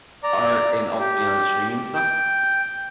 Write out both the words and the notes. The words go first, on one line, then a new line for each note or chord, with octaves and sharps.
Art and also, you know, the streaming stuff,
D5 A#5
G4
G5